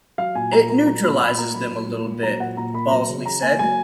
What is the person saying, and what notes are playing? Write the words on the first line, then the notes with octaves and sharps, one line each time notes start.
"It neutralizes them a little bit," Balsley said.
F#3 F5
A#2 G#5
A#2 A#5
A#3 A#5
F#3 A#5
A#2 B5
A#2 B5
A#3 A#5
F#3 B5
A#2
A#2
A#3
F#3 A#5
A#2 F#5
A#2 A#5
A#3 B5
F#3 A#5
C#3
C#3 A#5
A#3 G#5
F#3 G#5